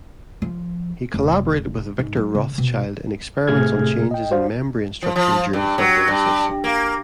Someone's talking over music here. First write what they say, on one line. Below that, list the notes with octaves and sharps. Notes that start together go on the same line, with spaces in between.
He collaborated with Victor Rothschild in experiments on changes in membrane structure during fertilisation.
F3
F1
G#2
F#3
C#3
B2
A2 C3 A3 G#4 F6 G#6
D#5 G5
F#4 C5 D5 F5
F3
F3
G2
F#3
G2
A#3